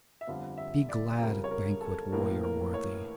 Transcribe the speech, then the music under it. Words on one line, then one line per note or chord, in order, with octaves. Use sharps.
Be glad at banquet, warrior worthy!
E5
G1 F2 D3 G3 F5
E5
D5
F2 C#3 G3 A#4
C#5
A#4
A4
A#1 A2 E3 A#3 A#4
A#4
C#5